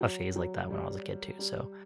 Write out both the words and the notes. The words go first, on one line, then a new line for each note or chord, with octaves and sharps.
a phase like that when I was a kid too so,
F#3
F#3
G3
G3